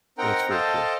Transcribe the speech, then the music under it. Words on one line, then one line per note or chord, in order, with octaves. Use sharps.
that's very cool.
C4 D#4 A#4 F#5 G5 A#5
A4 C5 D#5 F5 G5 A5